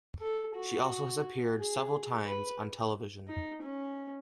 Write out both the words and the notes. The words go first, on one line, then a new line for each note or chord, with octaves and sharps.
She has also appeared several times on television.
A4
F#4
G#4
B4
D#4
C#4